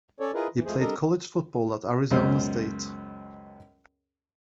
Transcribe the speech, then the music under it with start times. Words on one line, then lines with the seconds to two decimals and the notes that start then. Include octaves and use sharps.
He played college football at Arizona State.
0.20 C#4 A4 C#5 D5
0.34 E4 F4 G#4 A#4 B4 D#5
0.53 E3
0.65 F2 F3 G#3 A3 G#4 C5
0.80 G3 D4 A4 A#4 D#5
2.11 C#2 F#2 B2 C#4 C5